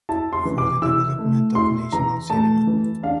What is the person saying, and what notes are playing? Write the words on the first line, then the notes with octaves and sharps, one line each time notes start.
For the development of national cinema.
E4 A5
C6
E3
D6
E4 E6
A3
E4 C6
E3 A#5
A3 A5
E3
D4 F5